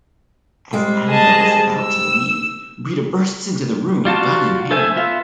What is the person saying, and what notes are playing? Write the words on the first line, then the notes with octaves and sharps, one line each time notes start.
As Annabel is about to leave, Rita bursts into the room, gun in hand.
G3 G#3 C4
G#4 D#5 A5
E6
G3 F4 F#4 A5
A4 C5 E5 G#5
B3 F4 E5